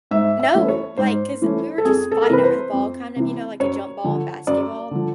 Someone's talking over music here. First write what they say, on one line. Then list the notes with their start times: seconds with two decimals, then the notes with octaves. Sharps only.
No. Like 'cause we were just fighting over the ball, kind of, you know, like a jump ball in basketball.
0.11 G#2 E5
0.39 E5
0.54 E3 A3 C#4
0.68 C#5
0.97 G#2 C5
1.42 E3 A3 C#4
1.78 A4
1.85 F2 G#4
2.12 A4
2.22 A#4
2.30 C3 E3 B4
2.44 C5
2.73 F2
3.16 C3 E3
3.60 F#2 C#5
4.04 D3 F3
4.47 F#2 D5
4.91 D3 F3